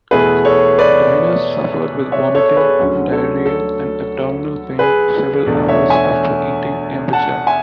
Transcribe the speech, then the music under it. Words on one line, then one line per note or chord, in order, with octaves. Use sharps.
Diners suffered with vomiting, diarrhoea and abdominal pain several hours after eating amberjack.
E2 B2 A3 E4 G#4 B4
A4 C#5
B4 D5
C#5 E5
A4 C#5
G#4 B4
D2 D3 F#3 A3 C#4
A4 C#5
A4
G#4 B4
E2 B2 A3 D4
C#5 E5
E5 G#5
F#5 A5
E5 G#5